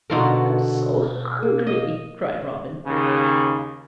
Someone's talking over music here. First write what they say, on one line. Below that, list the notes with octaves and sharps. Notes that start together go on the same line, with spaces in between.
"I'm so hungry," cried Robin.
B2 D3 F4 F#4 A4 A#4
A#3
D#5
D#2 C#3